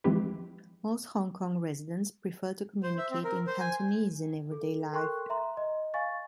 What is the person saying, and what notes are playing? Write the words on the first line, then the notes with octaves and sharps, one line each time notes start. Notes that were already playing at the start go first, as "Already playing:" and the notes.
Most Hong Kong residents prefer to communicate in Cantonese in everyday life.
E3 F3 G#3 C4 G4 B4
C5
E5
C4
A#4
C5
G#5
A4
A4 A#4 G5 C6 C#6 F#6
E5 A#5 C6
D#5
F5 G#5 C#6 A6